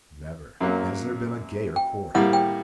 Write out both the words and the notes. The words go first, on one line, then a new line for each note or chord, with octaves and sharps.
Never has there been a gayer Court.
F#2 F#3 A#3
G5
A2 G3 A#3 F#5
G5